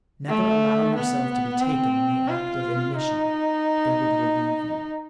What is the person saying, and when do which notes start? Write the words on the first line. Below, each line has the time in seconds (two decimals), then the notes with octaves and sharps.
Never allow yourself to be taken in the act of inanition. They would relieve you.
0.29 A3
0.95 B3
1.61 C4
2.28 F4
2.94 D#4